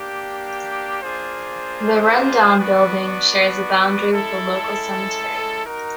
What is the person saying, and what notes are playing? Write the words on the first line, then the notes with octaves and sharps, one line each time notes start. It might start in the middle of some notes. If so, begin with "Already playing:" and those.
The run-down building shares a boundary with the local cemetery.
Already playing: A#3 D4 G4
A#3 D4 F4 G#4 C5
B3 D4 F#4 B4 D5
G#3 C#4 E4 A4
D#4 F#4 A#4